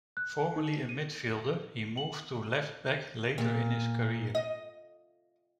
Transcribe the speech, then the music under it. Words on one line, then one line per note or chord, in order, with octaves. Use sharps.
Formerly a midfielder, he moved to left back later in his career.
F#6
D#4
D#7
F#7
A#2
D#5